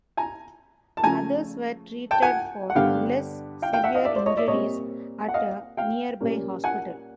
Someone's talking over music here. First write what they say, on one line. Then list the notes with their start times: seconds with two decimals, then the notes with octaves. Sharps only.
Others were treated for less severe injuries at a nearby hospital.
0.17 G#5 A#5
0.97 A5
1.03 C#3 F3 A3 G#5 A#5
2.11 G5 A5
2.22 F#5 G#5
2.70 F#5
2.75 G2 D3 G3 B3 F5 G5
3.62 F5 G5
3.73 F5 G5
3.84 E5 F#5
3.95 D#5 F5
4.05 D5 E5
4.16 C5 D5
4.26 C#5 D#5
4.37 D5 E5
4.48 A#2 G3 C4 C#5 D#5
5.28 F#5
5.34 D#5 F5
5.77 F5 G5
6.21 A#2 G3 A#3 C#4
6.64 F#5 G#5